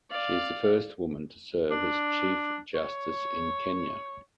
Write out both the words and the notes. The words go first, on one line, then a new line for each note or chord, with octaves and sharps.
She is the first woman to serve as Chief Justice in Kenya.
D5 F5
D4
C#5